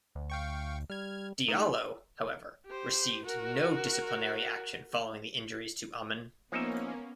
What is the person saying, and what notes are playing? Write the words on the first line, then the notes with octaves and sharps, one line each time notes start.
Diallo, however, received no disciplinary action following the injuries to Ammann.
D2
F5 G5 C#6
G3 F6 G#6
A3 D#4
G4 C5
F#4 A#4
F3 A#3 B3 C#4 D#4 E5